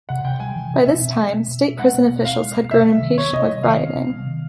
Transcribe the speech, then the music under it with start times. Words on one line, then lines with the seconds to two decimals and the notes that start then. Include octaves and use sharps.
By this time, state prison officials had grown impatient with rioting.
0.09 C3 F#5
0.25 C3 G5
0.40 G3 G#5
0.56 E3
0.70 C3
0.86 B2 E5
1.01 C4
1.17 G#3
1.33 B2
1.48 B2
1.63 C4
1.79 G#3 F#5
1.94 B2
2.09 B2
2.25 C4 F5
2.41 G#3
2.56 B2
2.71 C3 E5
2.87 G3
3.02 D#3
3.18 B3 C#5
3.33 C3 D#5
3.48 G3
3.63 D#3 F5
3.80 B3
3.95 C3
4.11 G3
4.26 D#3